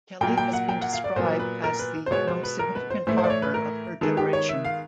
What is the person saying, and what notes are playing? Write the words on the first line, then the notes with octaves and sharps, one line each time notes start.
Kelly has been described as the "most significant harper of her generation".
A#2 F#3 A#3 G5
G5
F#5
G5
F#5
F5
D5
A#2 F#3 B3 C5
B4
A#4
B4
C5
B2 G#3 B3 C#5
C5
B4
A#4
B4
C5
A2 E3 A3 C5
C5
D5
C#5
B4
A#4
D#3 G#3 B3 A4
G4
C#5
E5
F5